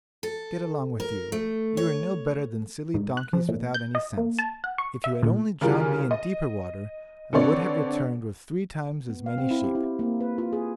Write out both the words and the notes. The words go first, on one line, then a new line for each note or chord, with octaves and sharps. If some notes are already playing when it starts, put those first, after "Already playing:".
'Get along with you--you are no better than silly donkeys without any sense; if you had only drowned me in deeper water I would have returned with three times as many sheep.'
A4
A#4
A3
C#5
G#2
F#6
F3
A#2
G6
D#5
A#3
A5
F#5
C#6
E5
A#2
C#3 E3 G3 F4 G#4 A#4
D#5
D3 B3 C4 A4 C#5 D5
B3
F5
C4
E4
G4
E4
A#3
B4
F4
G#4